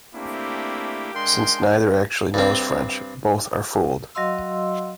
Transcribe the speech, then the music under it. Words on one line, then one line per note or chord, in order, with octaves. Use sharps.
Since neither actually knows French, both are fooled.
A3 A#3 C4 D4 E4 G4
G#3 D4 A#4 F5 G5 C6
G2 C4
F#3 F#4 D#5 F5 C6 E6